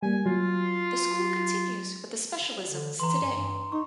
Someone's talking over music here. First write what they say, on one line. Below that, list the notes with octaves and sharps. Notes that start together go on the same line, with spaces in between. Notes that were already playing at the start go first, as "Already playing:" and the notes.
The school continues with the specialisms today.
G3 A#3 G#5
F#3 F4
D3
E3 A#5 C6
G2
G2
D#4 C#6